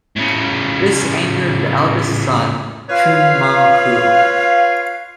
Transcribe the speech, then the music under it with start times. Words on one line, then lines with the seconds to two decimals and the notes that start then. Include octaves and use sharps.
This angered the eldest son Chung Mong-koo.
0.16 A2 C#3
2.90 F4 B4 C#5 F5